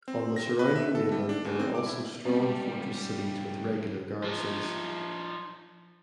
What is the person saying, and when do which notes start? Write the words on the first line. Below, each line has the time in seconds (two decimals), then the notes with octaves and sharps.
On the surrounding mainland there were also strong fortress cities with regular garrisons.
0.08 C4
0.36 A#6
0.59 B4
0.76 E5
0.95 A4
1.12 G3
1.29 D4
1.45 D2
1.59 C4
1.75 D6
1.86 E4
2.25 G#2 C#3 G3 C4 B4 D5
4.24 F3 D#4